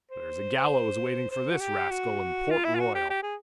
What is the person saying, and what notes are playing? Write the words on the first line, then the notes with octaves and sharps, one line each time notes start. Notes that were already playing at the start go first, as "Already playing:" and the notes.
"There's a gallows waiting for this rascal in Port Royal."
C5
C5
F#4
G4
F#4
F4
E4
F4
F#4
G4
G4
G#4